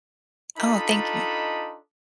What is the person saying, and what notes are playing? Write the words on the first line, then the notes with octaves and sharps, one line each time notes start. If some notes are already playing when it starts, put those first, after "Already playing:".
Oh, thank you.
D4 D#4 F4 A4 D#5 B5